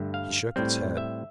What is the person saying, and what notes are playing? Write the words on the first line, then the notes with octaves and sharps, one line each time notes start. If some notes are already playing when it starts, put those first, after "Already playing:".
He shook his head.
Already playing: G2 D3 A3
F5
A2 G3 C4
E5